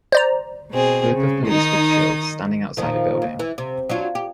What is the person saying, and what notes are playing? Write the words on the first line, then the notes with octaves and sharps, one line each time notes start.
Group of police with shields standing outside a building.
C5 D5 A#5
B2 C4 G#4
C#3
D#3 D#4 D#6
A#2 D#3 F3
D#2
E3
C3
F#3 D4 F4
G4